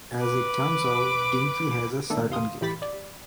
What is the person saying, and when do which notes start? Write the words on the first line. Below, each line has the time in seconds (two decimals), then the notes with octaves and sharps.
As it turns out, Dinky has a certain gift.
0.20 B4 D6
2.10 A2 D#3 A3 B3 D4 A4
2.30 E2 C3 F5 C6 D#6
2.61 A2 E3 G4 B5 A6 B6
2.82 D5